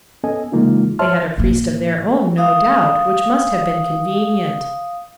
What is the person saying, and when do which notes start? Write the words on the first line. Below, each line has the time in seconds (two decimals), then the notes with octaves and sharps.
They had a priest of their own, no doubt, which must have been convenient.
0.24 B3 C#4 A4 D#5 G#5
0.52 C#3 E3 G#3 A#3 D#4 F4
0.99 C5 C#5 E5 A5 C6 F6
1.38 A2 A#3
2.37 F5 D#6